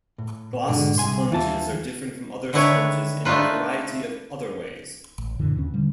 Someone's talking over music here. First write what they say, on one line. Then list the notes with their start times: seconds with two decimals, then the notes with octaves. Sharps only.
Glass sponges are different from other sponges in a variety of other ways.
0.18 A2
0.68 G#2 B2 D3
0.98 C2 G2 G#5 C6
1.31 D#2 E3 F4 A5
2.53 D3 D#3 D4 E4 B4 C#5
3.25 A3 D4 D#4 F4 B4
5.18 A1
5.39 F#2 A#2 D3 E3
5.56 D#2 C#3 C#4
5.74 B2 D3 G3